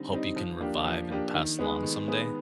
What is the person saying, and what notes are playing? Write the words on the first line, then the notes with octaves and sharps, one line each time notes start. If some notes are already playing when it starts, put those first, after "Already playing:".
hope you can revive and pass along someday?
Already playing: D3 G3 C4 D#4
G3 C4 D#4
F3
A#3 D4 G4
F3
A#3 D4 G4
D#3
G#3 B3
D#3
G#3 B3